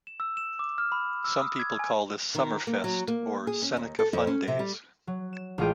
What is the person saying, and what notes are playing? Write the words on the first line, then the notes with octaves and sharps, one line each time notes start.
Some people call this "Summer Fest" or "Seneca Fun Days".
E7
E6
E7
D6
F6
B5
E6
D#6
G#6
G#5
D#3
A#3
F#3
A#3
G#4
C#4
D#2
A4
F2
C#4
C3
G3
F#3
E7
A1 G#3 F4 G#4 D#5 G5